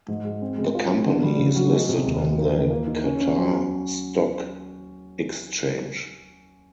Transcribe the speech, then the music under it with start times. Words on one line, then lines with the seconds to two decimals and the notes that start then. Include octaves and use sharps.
The company is listed on the Qatar Stock Exchange.
0.08 G#2
0.25 G#3
0.42 C4
0.58 G#3
0.75 F4
0.90 C4
1.06 D3
1.23 G3
1.39 C#3
1.56 F#3
1.73 G#3
1.89 C3
2.05 D#2
2.22 D#2
2.38 A#3
2.54 E3
2.70 A#3
2.87 D#4
3.04 C#4
3.21 C#4
3.37 F#3